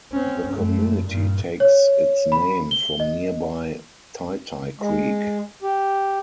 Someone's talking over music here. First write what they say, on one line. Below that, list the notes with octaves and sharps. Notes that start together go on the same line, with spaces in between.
The community takes its name from nearby Ty Ty Creek.
C4 C#4
F#2 A3
G2 A#2
C#5
B5
G7
D#5
G#3
G4